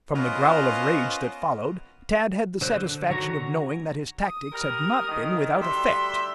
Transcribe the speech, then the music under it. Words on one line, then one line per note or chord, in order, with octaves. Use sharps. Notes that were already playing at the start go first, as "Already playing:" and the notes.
From the growl of rage that followed, Tad had the satisfaction of knowing that his tactics had not been without effect.
B3 C#4 F4 A#4 C5 D#5
D3 C5 F#6
D3 D#3 F#4 C#5 A#5
D#6
G3 A#4
D3 D#3
D2 G3 D4 E5 C6